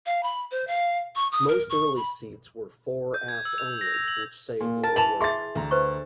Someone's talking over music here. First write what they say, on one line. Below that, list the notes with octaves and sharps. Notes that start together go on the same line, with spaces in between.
Most early seats were fore-aft only, which saved little work.
F5
B5
C5
F5
C#6
D#6
A#4
C#6
B5
G6
G#6
E6
F7
A#6
F7
F#7
A#2
A#4 A5
E3 A5 F7 F#7
G#4 E5 C6 A6
D2 D3 A#5
B4 C5 C#6